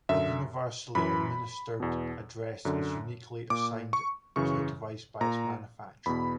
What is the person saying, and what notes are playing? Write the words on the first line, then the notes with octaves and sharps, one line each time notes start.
A universally administered address is uniquely assigned to a device by its manufacturer.
F#2 D3 E5
F#2 E3 B5
E2 B2
F#2 D3
A#2 D6
C#6
F#2 C#3 E3 C#6
A#2 A#5
E2 B2 B5